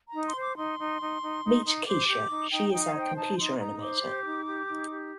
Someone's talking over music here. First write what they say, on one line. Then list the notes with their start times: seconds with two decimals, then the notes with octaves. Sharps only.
Meet Kesha, she is our computer animator.
0.09 A#5
0.14 D#4
0.26 C6
0.36 C5
0.41 D6
0.57 D#4 C6
0.79 D#4
1.00 D#4
1.23 D#4
1.44 D#4
1.65 D#4
1.87 C5 D6
2.08 G4
2.30 D#4
2.51 D#4 G5
2.68 D#4 G5
2.84 F5
2.95 C5
3.00 G5
3.16 D#4 A5
3.38 D#4 C6
3.59 D#4 A#5
3.81 C5 D6
4.03 G4
4.24 D#4
4.46 G4
4.68 D#4
4.89 G4